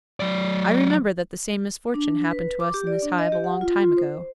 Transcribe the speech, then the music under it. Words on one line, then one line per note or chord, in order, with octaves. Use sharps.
I remember that the same misfortune happened to us in this hive a long time ago.
F#3 D5
D4
B4
D6
G4
D5
D4
D#5
G4
F#5
F4
F4
C5